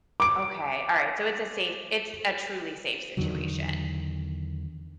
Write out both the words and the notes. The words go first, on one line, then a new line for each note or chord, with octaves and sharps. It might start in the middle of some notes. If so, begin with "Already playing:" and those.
Okay. Alright, so it's a safe it's a truly safe situation.
D6 D7
E2 D3 D#3 F#3